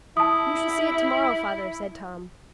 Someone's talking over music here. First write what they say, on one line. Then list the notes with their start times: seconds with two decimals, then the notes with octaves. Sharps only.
"You shall see it to-morrow, father," said Tom.
0.17 E4 A5 D#6